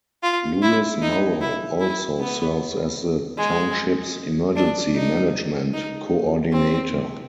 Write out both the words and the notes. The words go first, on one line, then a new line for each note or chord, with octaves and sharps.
Lewis Morrow also serves as the township's emergency management coordinator.
F4
E4
D#4
E4
E4
B3
G#3
D4
D#4
D#4
C4